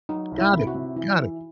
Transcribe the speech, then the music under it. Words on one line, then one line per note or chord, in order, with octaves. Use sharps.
Got it, got it.
F#3 D#4
C2
E4
C3
F#4
C3
E3 E4
E3